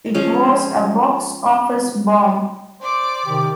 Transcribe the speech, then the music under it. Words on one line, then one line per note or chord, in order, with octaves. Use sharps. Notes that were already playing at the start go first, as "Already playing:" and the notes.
It was a box office bomb.
F3 G#3 C#4
C5 D5 D6
C3 D#3 G4